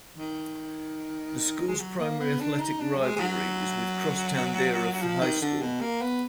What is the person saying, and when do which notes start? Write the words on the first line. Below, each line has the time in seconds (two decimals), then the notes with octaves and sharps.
The school's primary athletic rivalry is with cross-town Dieruff High School.
0.18 D#3
1.68 G#3
1.79 F#3
1.99 A#3
2.19 B3
2.39 D4
2.53 D4
2.60 D#4
2.80 D4
2.95 F#3
3.00 G#3
3.16 G#3
3.20 F#3
5.01 F3
5.21 D#3
5.41 D3
5.61 B2
5.81 A#3
6.01 B3